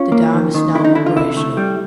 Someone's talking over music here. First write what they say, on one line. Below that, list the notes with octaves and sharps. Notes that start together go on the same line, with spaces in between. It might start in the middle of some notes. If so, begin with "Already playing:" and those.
The dam is now operational.
Already playing: C#4 F4
A#3
D#3
D#3
D3 E4
D#4
D3 E4
F4
C3 E4
A3
G3